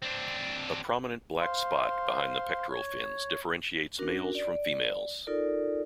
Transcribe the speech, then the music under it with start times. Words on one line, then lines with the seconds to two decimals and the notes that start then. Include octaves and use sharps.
A prominent black spot behind the pectoral fins differentiates males from females.
0.02 C4 D4
1.41 C5 F5 C6
2.71 C#5
3.99 C#4 D4 F#4 A#4
4.35 D5
5.27 D#4 F4 A4 A#4 D5